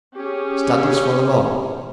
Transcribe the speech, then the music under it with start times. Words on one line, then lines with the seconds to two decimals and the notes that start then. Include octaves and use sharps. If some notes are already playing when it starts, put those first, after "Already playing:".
Studies for the law.
0.15 C#4 G4 G#4